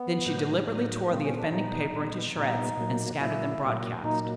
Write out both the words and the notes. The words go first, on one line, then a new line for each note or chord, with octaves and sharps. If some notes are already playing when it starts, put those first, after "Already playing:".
Then she deliberately tore the offending paper into shreds and scattered them broadcast.
Already playing: B3
A2 F#3 A#3 D#4
A2 F#3 A#3 D#4
A#2 G3 B3 C4
C#4
D4
A#2 G3 B3 D#4
A#2 G3 B3
A#2 G3 B3 D#4
A#2 F#3 A#3
A#2 F#3 A#3 E4
A#2 F#3 A#3
A#2 F#3 A#3 D#4